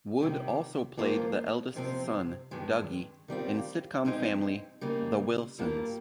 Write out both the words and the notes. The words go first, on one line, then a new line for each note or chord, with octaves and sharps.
Wood also played the eldest son, Dougie, in sitcom family "The Wilsons".
C3 D#3 G3
G2 F3 A#3 F4 C5
F2 C3 F3 C4
G2 D#3 G#3
D#3 G3 C4 F4
G2 F3 G#3 C4 D#4
C#3 G3 A#3 D#4
G2 G3 A#3 F4